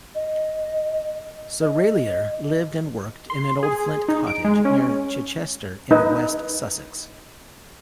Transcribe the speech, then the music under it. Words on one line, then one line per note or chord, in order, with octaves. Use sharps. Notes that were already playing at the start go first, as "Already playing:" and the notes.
Serraillier lived and worked in an old flint cottage near Chichester, in West Sussex.
D#5
D#5
C6
G#4
D#4
D7
G#3
C#4
D#4 B4 D#5